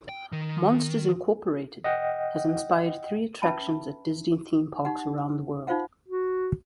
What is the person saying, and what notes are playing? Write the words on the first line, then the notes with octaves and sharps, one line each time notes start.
"Monsters, Incorporated" has inspired three attractions at Disney theme parks around the world.
G5
D#3
D#5 F#5 G5
C#4 B4 E5 A5 B5
D#4 G4 F#5
D#4 F4 C5 F5 F#5
F#4